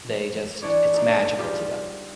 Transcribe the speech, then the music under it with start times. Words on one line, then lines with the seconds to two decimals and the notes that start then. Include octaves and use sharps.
they just it's magical to them,
0.62 E3 D4 C#5 D5
0.94 D4 D#4 A4
1.37 G3 F4 G4 G#4